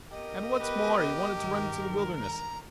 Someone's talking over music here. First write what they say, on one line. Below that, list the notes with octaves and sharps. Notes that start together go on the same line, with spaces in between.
And what's more, he wanted to run into the wilderness!
B3 G4 A#4 D#5
G4 B4
G2 D#3 G#3 A#4
A#5